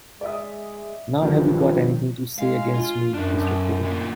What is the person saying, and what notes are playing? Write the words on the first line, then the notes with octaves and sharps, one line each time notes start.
Now have you got anything to say against me, Mr Philip.
G#3 D5 E5 D#6
G2 D#3 F3 F#3
G#3 F5
F4
F#2 F3 D4
B1
D2 A#2